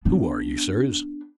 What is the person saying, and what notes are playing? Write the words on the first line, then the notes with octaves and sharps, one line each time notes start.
"Who are you, Sirs?"
B3 D4